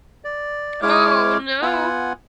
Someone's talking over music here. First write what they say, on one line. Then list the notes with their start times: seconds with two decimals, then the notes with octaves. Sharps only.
Oh, no.
0.24 D5
0.82 G#3 E4 C#5 D6 F6
1.62 B3 F4 F#5 G#5